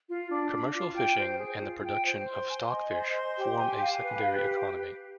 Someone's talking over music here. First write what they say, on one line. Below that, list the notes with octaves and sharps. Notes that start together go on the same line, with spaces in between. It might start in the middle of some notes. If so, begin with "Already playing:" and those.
Commercial fishing and the production of stockfish form a secondary economy.
F4
D4
D4
F4
G5
C5
G#4
F4
G5
C5
C6
G#5
D#5
C5
C6
G4
G#5
F5
B4
G4